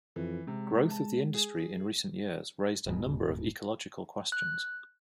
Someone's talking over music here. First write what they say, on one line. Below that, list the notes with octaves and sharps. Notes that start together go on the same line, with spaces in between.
Growth of the industry in recent years raised a number of ecological questions.
F2 E3
C3 G#3
A5
G#4
D#1 D2 G#2 B2
F#6